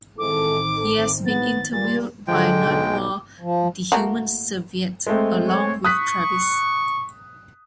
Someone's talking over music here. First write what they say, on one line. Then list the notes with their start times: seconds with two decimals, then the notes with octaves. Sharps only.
He has been interviewed by Nardwuar the Human Serviette, along with Travis.
0.18 A1 G#2 D#3 C4 E4 A4 D6
0.77 A4
1.26 B3 A6
1.72 A#2 G3 B3 A6
2.28 D3 F3 G#3 G5
2.65 B1
3.40 F3
3.92 A3 A#3 F#4
5.07 G#3 A3 C4
5.48 C#5
5.85 C#6 D#6 F#6 B6